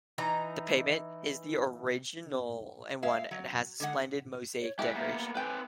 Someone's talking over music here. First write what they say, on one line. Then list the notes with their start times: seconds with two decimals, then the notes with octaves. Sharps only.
The pavement is the original one and has a splendid mosaic decoration.
0.18 E3 D#4 A#5
3.03 G#3 E5 F5
3.31 F#3
3.80 D3 G#3 F#5
4.61 C#5
4.79 G#3 E4 G4 E5 F#5
4.94 A#3 B3
5.35 C4 A4 B4 G5 G#5